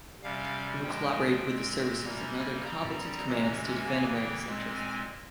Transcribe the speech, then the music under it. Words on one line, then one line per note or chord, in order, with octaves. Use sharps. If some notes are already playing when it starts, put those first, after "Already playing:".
We will collaborate with the Services and other Combatant Commands to defend America's interests.
C3 G3 C#4 F5
A#2 F3 G#3 G5
A#2 G#3 C4
C3 G3 A#3 C#4 A#5
G#5
C#3 G3 C4 A#5
C3 E3 G#3 C#4
C#3 E3 A#3 G#5
G5
A#2 G#3 C4
G#5